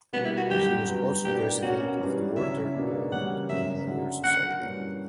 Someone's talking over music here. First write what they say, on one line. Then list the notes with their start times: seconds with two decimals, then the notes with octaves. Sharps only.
She was also president of the Mortar Board and Lanier Society.
0.13 B2 G3 A#3 B3
0.25 E4
0.37 F#4
0.50 F#2 D3 G3 G4
0.87 G2 F#3 B3
1.25 B2 A#3 D4 G4
1.62 B2 A#3 C#4 F#4
1.99 G2 E3 G3 B3 D4
2.36 C#3 F#3 C#4 E4 E5
2.74 B2 A#3 D4
3.11 E2 C#3 G3 A#3 C#4 F#5
3.49 F#2 C#3 F#3 A#3 C#4 E5
3.86 F#2 D3 F#3
4.24 D3 F#3 A#3 F#5
4.61 G2 E3 A#3 C#4